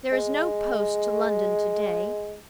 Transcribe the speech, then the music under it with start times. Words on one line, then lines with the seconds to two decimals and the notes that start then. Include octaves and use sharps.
There is no post to London to-day.
0.12 G#3